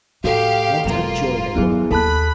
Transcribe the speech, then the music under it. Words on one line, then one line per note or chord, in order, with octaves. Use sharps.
What a joy they were!
A2 F#4 G4 A4 F5
E1 F#3 A#3 F4
D#3 F#3 B3 E4 G#4
D#2 A4 A5 B5 F#6